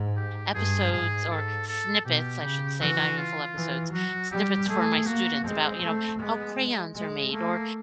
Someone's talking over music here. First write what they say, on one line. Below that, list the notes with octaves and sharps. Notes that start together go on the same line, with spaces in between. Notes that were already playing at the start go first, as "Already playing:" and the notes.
episodes or snippets, I should say- not even full episodes- snippets for my students about, you know, how crayons are made, or
Already playing: G#2
G4
G2 G#4
G#2 G#4
A4
A4
B2 G4
C#3
E3 F#4
F4
E3
F#3 F#4
G3 G4
A3 G#4
A#3 F#4
G#3 C4
A3
G#3 B3
G#3
A3 A#3